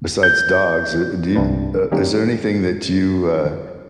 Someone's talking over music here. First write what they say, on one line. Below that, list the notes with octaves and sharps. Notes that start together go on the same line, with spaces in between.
besides dogs? Uh, do you uh, is there anything that you, uh
G6
C2 G2 D4 B4
D#3 G3 A#3 C#4 G4 A#4